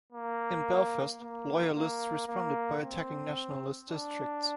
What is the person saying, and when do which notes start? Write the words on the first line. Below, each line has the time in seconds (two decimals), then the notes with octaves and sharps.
In Belfast, loyalists responded by attacking nationalist districts.
0.13 A#3
1.21 A#3
1.75 A#3
2.28 A#3
2.82 C4
3.90 D4